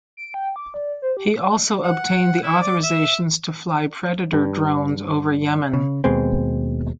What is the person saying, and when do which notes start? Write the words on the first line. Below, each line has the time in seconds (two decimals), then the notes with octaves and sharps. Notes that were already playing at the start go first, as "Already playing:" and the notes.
He also obtained the authorizations to fly Predator drones over Yemen.
0.17 D7
0.34 G5
0.56 D6
0.74 D5
1.02 C5
1.17 G4
1.83 F#5
2.43 E4
2.61 D5
2.83 E5
4.33 G2
5.74 C#3
6.04 D#2 B2 G#3 C4